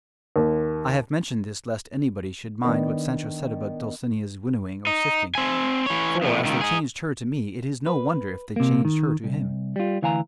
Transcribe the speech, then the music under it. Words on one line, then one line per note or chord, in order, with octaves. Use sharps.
I have mentioned this lest anybody should mind what Sancho said about Dulcinea's winnowing or sifting; for, as they changed her to me, it is no wonder if they changed her to him.
D#2
D#3 B3 D4
D#4
C4 G#5
E3 C#5
F2 A2
C#2 D#3
D#4 G#4
B4
C3 A#3
D#3
C2
G3 F4
D2 E3 F5 G#5 A#5